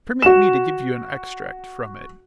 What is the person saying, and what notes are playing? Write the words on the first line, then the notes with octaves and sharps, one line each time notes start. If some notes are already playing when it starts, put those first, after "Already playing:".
Permit me to give you an extract from it.
F#4 E7